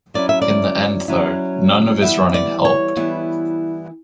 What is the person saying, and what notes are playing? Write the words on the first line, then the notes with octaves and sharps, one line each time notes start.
In the end, though, none of his running helped.
F#3 C#4 E4 D5
E5
D5
F#3 C#4 E4
E3 G3 B3 E4 E5
D5
C#5
E3 G3 B3 E4